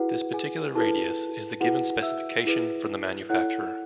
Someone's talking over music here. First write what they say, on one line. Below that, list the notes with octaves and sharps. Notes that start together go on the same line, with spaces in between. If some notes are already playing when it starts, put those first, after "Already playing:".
This particular radius is the given specification from the manufacturer.
Already playing: E4 F#4 G#4 B4 F#5
G#4 G#5
E4 G#4 A4 B4 A5
E4 F#4 G#4 B4 F#5
E5 E6
E4 G#4 B4
E4 A4 C#5 F#5 F#6